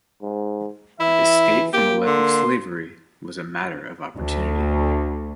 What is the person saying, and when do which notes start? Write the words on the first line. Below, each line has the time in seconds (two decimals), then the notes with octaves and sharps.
Escape from a life of slavery was a matter of opportunity.
0.22 G#2
1.00 E3 E4 E5
1.73 A#3 G4
2.06 D3 C6
4.17 D2